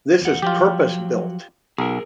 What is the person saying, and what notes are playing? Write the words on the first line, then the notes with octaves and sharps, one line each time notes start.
This is purpose built.
E2 F#5
F3 F#3 F4 G4
B1 G#4 A#4